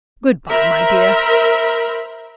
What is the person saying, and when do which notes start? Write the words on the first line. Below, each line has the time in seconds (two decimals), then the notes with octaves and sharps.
Good-by, my dear.
0.49 A#4 C5 E5 B5